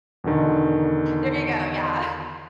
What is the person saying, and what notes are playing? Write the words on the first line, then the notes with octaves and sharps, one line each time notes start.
There you go, yeah.
E2 B2 D3 D#3